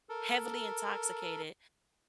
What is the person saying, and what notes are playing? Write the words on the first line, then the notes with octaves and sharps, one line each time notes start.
heavily intoxicated,
A4 A#4